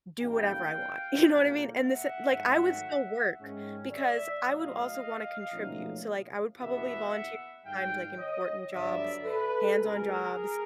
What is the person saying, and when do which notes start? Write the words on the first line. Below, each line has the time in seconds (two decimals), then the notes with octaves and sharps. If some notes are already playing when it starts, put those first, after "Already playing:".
do whatever I want. You know what I mean, and this, eh, like I would still work because I would also wanna contribute, so, like, I would probably volunteer time to, like, important jobs, hands-on jobs,
0.18 A1 G2 D#3 G3 A#3 F5 G5
1.26 B1 A#2 F#3 A#3
1.78 E5 F#5
2.31 G#2 D#3 F#3 A3
3.39 G#2 D#3 G#3 C#4
3.91 D5 E5
4.45 B1 A2 F#3 D#5 F5
5.52 B1 A#2 F3 A3 C#4
6.58 F#1 E2 B2 G3 B3 E5 F#5
7.64 G#2 D#3 G3 F5 G5
8.18 C#5 D#5
8.71 G2 D3 F#3 B3 D5 E5
9.24 A4 B4
9.78 C#2 B2 G#3 G#4 A#4